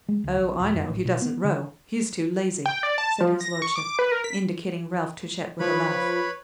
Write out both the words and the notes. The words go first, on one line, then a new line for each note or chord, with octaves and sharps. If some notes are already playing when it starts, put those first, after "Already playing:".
"Oh, I know he doesn't row; he's too lazy," said his lordship, indicating Ralph Touchett with a laugh.
G#3
D2
A#1
D#1
F#2
A1
B2
B3
D3
G5
D5
A5
F3
A#6
C#6
D6
B4
A#4
B6
F3 B4 C#5 B5